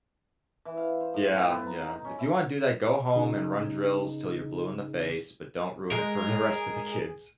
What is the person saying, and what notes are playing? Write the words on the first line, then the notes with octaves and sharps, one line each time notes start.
Yeah, yeah. If you wanna do that, go home and run drills till you're blue in the face, but don't ruin it for the rest of the kids.
E3
F5
C5
A2
C4
B3
A#5
D#4
C#4
E4
C#3 D#4 G#4
G#3 G#4 A#4